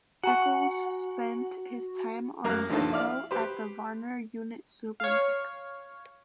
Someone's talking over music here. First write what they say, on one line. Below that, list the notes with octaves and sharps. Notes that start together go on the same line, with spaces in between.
Echols spent his time on death row at the Varner Unit Supermax.
F#4 F#5 G#5 A#5 C#6
F#2 A#3 A#5 F#6
A#1 G2 D3 D#3 F3 A4
E4 D5 F5
G4 B4 C5
C#5 F5